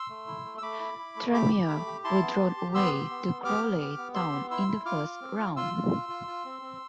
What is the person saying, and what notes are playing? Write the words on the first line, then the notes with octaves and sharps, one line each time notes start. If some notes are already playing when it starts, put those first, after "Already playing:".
Tranmere were drawn away to Crawley Town in the first round.
Already playing: C6 E6
A3
E4
A3
E6
A3 B5 D6
E4
E4
A3
G4 B5 D6
G4
A3
G4
E4 A5 C6
B3
G4
G4
B3 C6 E6
G4
B3
B3
G4 D6 F6
B3
G4
B3
G4 C6 E6
B3
E4 C6 E6
E4
F4 D6 F6
F4
C4
F4
F4 C6 E6
F4
F4
F4
F4
C4
C4